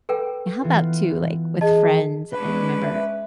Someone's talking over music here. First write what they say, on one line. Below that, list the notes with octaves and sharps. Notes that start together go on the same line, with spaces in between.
And, how about too, like, with friends? I remember,
A4 B4 G5
E3 B3 F4
G#4 D#5 A5
G#3 C#4 D4 B4
E5